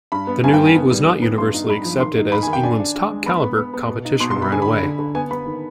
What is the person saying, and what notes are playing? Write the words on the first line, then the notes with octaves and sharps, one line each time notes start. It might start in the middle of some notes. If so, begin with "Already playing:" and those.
The new league was not universally accepted as England's top-calibre competition right away.
G2 B5
B3
G2 G#5
G5
D#3
G#5
B3
G3
D#3
B3
G2 C6
D#4
G2 B5
F3
D#3 C6
D#4
D#4 B5
G#5
D#3
G5
D4 G#5
D4
D4
G#3
B3 B5
B3
B3
B3
B2
D#4
B2 C6
C6
G3
B5
D3 G#5
B5
D3
D3
D3
B3 G#5
B3 B5
D#3